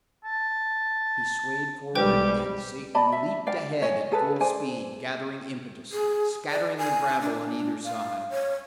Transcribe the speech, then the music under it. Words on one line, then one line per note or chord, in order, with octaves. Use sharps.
He swayed forward, and Satan leaped ahead at full speed, gathering impetus, scattering the gravel on either side.
A5
B1 G3 G#3 G4 B4 C5 G5
D5 D#5 A5 B5
E5
D5 F5 G5
C#5 D#5 G#5
G#4 A4 B4
G#4 C5 D5 G#5
G#4
D5
G#5
D4
F5
C#5